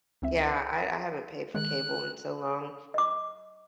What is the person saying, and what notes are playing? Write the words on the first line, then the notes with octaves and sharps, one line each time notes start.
Yeah. I I haven't paid for cable in so long
C#2 C4 E5
D#3 G#3 F#6
D#5 D6